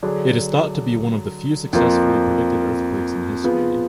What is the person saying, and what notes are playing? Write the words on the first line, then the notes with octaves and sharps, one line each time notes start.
It is thought to be one of the few successfully predicted earthquakes in history.
D3 F#3 D4 G#4
F2 F3 A#3
F3 B3 F4 G#4